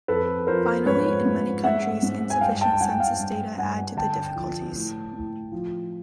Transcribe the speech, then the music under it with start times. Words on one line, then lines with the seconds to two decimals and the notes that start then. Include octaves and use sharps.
Finally, in many countries, insufficient census data add to the difficulties.
0.08 F2 A4 B4
0.47 F3 A#4 C5
0.86 G#2 B4 C#5
1.26 G#2
1.64 G#2 E5 F#5
2.03 G#2
2.30 G#5
2.41 G2 F5 G5
2.61 G5 A5
2.80 G2 F#5 G#5
3.00 F5 G5
3.19 G2
3.58 G2 F#5 G#5
3.96 D3 G5 A5
4.35 F3
4.75 A2
5.13 A2
5.52 F3